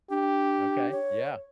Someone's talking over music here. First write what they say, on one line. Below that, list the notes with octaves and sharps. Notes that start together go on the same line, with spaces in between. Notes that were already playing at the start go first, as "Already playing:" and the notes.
Okay. Yeah,
D4 G4
C#5